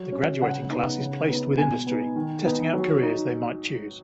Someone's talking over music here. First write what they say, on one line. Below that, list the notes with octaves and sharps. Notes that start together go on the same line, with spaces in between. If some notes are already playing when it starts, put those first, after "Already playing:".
The graduating class is placed with industry, testing out careers they might choose.
Already playing: F#3
C#4
C#3 F#5
B3 D#4
C#3
B3 D#4
B2 G#5
B3 D#4
D#3
B3 D#4
F#3
D#4